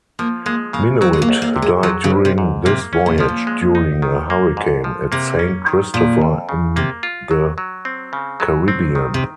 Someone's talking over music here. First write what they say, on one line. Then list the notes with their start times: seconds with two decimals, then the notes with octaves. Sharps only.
Minuit died during this voyage during a hurricane at Saint Christopher in the Caribbean.
0.19 F3 A#3
0.46 G#3 A#3
0.73 C#3 A#3
1.01 F#3 C4
1.13 G#3
1.22 A#3
1.29 C2
1.42 A#3
1.56 C3
1.62 G#3
1.83 F3 F#3
2.04 C#3
2.10 G#1
2.25 C3
2.38 G#2
2.66 C3 A#3
2.93 C#4
3.06 A#2
3.18 C3 F3
3.28 A#2
3.47 G#3
3.75 D#4
4.02 D#3
4.30 A#3
4.57 G#2
4.84 F3
5.12 C3 A#3
5.39 C#4
5.67 D#3
5.94 A#2 F3
6.21 F2
6.49 C#3
6.76 C3 A#3
7.03 F4
7.31 F#3
7.58 F#3
7.85 C4
8.13 C#3
8.40 F#3
8.68 C4
8.95 D#3
9.14 C3